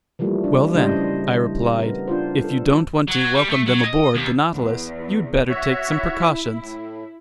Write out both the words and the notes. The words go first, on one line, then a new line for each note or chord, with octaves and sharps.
"Well then," I replied, "if you don't want to welcome them aboard the Nautilus, you'd better take some precautions!"
E3 F3 G3 A3 A#3
D4
C#3 G3 D4 E4 C5 D#5
B3 A#4
D4 F4 C5
A4
F#3
G3
A3
F#3
D#5
D#2
E2
F#4 C#5 E5
E4
A2